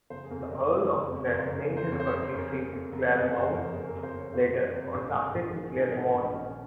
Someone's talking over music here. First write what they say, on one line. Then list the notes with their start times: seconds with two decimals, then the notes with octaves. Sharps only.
The Earl of Clare named his country seat Clare-mount, later contracted to Claremont.
0.10 F#1 C5
0.24 G#4
0.30 F2 A#4
0.51 F#1 A#4
0.71 C#3
0.91 F#1
1.11 F2
1.26 C#5
1.31 F#1 C5
1.47 A#4
1.51 C#3
1.62 A#4
1.71 F#1
1.77 C5
1.92 F2 C#5
2.00 C5
2.07 C#5
2.12 F#1
2.22 C5
2.32 C#3
2.37 A#4
2.52 F#1
2.73 F2
2.93 F#1
3.13 C3 G#4
3.27 C#5
3.33 F#1 C5
3.53 F2 A#4
3.73 F#1 G#4
3.88 A#4
3.93 C3
4.03 C5
4.13 F#1
4.18 C#5
4.33 F2 C5
4.53 F#1 C#5
4.74 C3 C#5
4.94 A#1 C5
5.09 A#4
5.14 G#2
5.24 G#4
5.34 A#1
5.40 F4
5.49 G#4
5.54 D#3 F#4
5.70 G#4
5.75 A#1 D#4
5.84 F4
5.95 G#2
6.00 F4
6.15 A#1 D#4
6.30 C#4
6.35 D#3
6.45 C#4